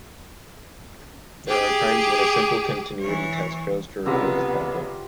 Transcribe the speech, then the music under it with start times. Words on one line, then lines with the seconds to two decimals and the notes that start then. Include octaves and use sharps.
There are times when a simple continuity test fails to reveal the problem.
1.48 G4 G#4
3.00 E3 C#5
4.06 C2 C#3 B3 F4 G4 A#5 E6